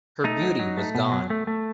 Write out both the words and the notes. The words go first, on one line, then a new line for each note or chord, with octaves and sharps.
Her beauty was gone.
A3 D#4
F#3
F#3
A3
B2
F#3
A3
A3